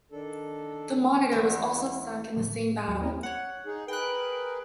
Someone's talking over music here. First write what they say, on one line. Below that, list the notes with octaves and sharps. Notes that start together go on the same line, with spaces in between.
The monitor was also sunk in the same battle.
D#3 D4 A4
E2 G#3 E4 F#4 D#5
A2
D#2 F#3
A#3 C4 C#4 E4 A#4
C#5 F#5
D#4 G#4
G#4 A#4 B4 G5 F#6